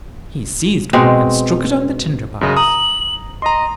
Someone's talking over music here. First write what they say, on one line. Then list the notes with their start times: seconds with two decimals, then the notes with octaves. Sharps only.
He seized one and struck it on the tinder-box.
0.93 B2 G#3 C4
2.41 F#2 C#3 D#5
2.57 A#5 D#6 F#7
3.42 D#5 A#5 C6